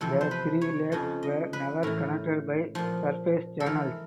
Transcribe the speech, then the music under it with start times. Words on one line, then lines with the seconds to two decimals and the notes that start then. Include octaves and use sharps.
The three lakes were never connected by surface channels.
0.01 E2 C3 F3 A4
0.21 C5
0.31 B4
0.61 C#5
0.92 F2 C#3 F3 D#5
1.23 D#5
1.53 B4
1.83 A2 E3 A#4
2.75 A#2 F3
3.60 A4
3.66 G#2 E3 A#4